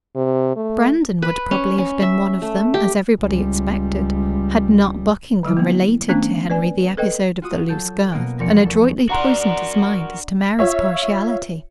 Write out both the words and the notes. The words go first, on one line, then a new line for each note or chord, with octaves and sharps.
Brandon would probably have been one of them, as everybody expected, had not Buckingham related to Henry the episode of the loose girth, and adroitly poisoned his mind as to Mary's partiality.
C3
A3
B4
C#4
C#4
E5
A3
G4
C#2 G3
D3 F#3 G3 E4
A#3 B3
D#3 A3 B3 C#4 D4
B4 D5 G#5
A4 B4 D#5 G5
F4 F#4 D#6
F#3 A4 A5 G6
B2 A#3 B3 D#6 D7
F1 E2 F3 A#4 D5 C#7
A4 C#6
D4 F#4 A#4 F#5 A#5 C6
F4 C#5 E5